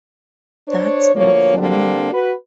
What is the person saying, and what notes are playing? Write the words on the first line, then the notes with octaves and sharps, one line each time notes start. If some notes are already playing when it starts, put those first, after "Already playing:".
That's not for me.
D4 C5 C#5
D2 F3 A#3 C#5
D3 G3 A#3 C4 D4
F#4 B4